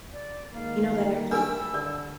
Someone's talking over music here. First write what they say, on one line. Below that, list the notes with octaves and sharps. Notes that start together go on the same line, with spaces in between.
you know, that actually
D5
D#3 G#3 A#3 F5
G3 A3 D4 A#4 G#5 E6
D3 D5